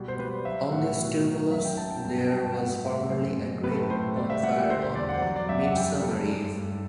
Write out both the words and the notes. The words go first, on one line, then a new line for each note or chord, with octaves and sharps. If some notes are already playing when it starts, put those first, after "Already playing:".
On this tumulus there was formerly a great bonfire on Midsummer Eve.
Already playing: B2 G3
C5
G3 B4
F#3 E5
E5
A2 F#5
B2
F#3
F#2 E5
G5
F#2 A5
G5
G2 A5
A5
G5
G2 A5
G5
A2 F#5
A2 E5
F#2 C5
F#2
A2 B4
A4
B4
A2 C5
G3 D5
E5
G3 F#5
G5
D3 C5
C5
E2 D5
F#5
F#3 D5
D5
F#2 E5
F#5
G3 G5
G3 A4
G2
G2